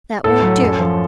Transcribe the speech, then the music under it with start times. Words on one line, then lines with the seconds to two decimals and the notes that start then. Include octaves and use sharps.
'That won't do.
0.24 A2 A4
0.42 F#3
0.61 F#2
0.80 F3